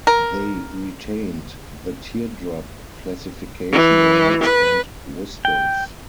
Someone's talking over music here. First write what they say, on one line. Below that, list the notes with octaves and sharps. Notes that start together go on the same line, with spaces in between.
They retained the teardrop classification lights and whistles.
A#4
E3
B4
G5